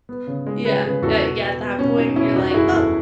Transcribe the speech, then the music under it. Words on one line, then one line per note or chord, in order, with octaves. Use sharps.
Yeah. Yeah, yeah, at that point you're like, "Well,
B3
C#3
G#3
C#3 G#4 B4
C#3 G#4 B4
E2 F#4 A4
B2
B3
B3
B2 C#4
F#3 D#4
B2 C#4 E4
E2 D#4 F#4
F#4
F#1 E4 G#4
E2 F#4 A4